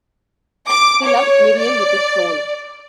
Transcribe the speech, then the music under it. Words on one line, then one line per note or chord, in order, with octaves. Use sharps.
He loved Miriam with his soul.
D6
C#5
D5